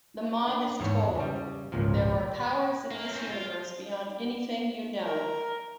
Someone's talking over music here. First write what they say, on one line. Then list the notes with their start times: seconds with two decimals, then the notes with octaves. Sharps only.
The mob is told, There are powers in this universe beyond anything you know.
0.47 D4
0.80 E2 G#2 C#5
1.15 C#3 G3
1.72 G#1 C#2 A#2 F3
2.91 A#3
3.13 C4 C#4
3.30 F4
5.03 A#4